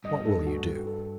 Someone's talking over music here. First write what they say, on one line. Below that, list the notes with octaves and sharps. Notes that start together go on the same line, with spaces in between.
"What will you do?"
G2 D#5
A4
F#4
A4
A4